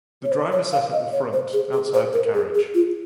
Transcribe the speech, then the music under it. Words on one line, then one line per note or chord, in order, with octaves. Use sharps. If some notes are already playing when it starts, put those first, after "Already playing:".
The driver sat at the front, outside the carriage.
C#5
C5
C#5
F5
D#5
C#5
C5
G#4
G#4
C5
A#4
G#4
G#4
F4